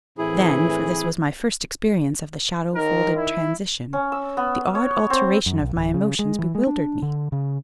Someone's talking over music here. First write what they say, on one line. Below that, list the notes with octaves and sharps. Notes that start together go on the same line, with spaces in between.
Then, for this was my first experience of the shadow-folded transition, the odd alteration of my emotions bewildered me.
A2 E3 C4 E4 G#4
D#3 A#4
E4
C#4
E6
B3
C#5
C4
F#2
B1
D1
C#3
G#3
E3
G#3
D4
D3
C#3